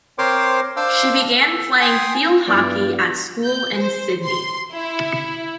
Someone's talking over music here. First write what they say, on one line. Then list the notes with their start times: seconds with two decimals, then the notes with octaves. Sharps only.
She began playing field hockey at school in Sydney.
0.18 C4 A#4 C5 C#5 C6 D6
0.77 D4 C5 F5 C6 D6 E6
1.39 A4
1.81 G5 G#5 C6 D#6
2.47 G2 F#3 B3 E4 D5
3.44 G6
3.75 C5
4.24 C6
4.72 E4